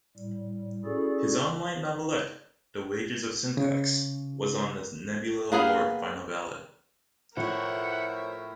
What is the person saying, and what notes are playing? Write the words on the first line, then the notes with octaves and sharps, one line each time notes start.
His online novelette "The Wages of Syntax" was on the Nebula Award final ballot.
A2 G3
C#4 E4 F#4 G#4 A4 D5
C#3
A#3 B3 G#4 C#5 F5
A2 F3 A#4 C5 C#5 E5 F#5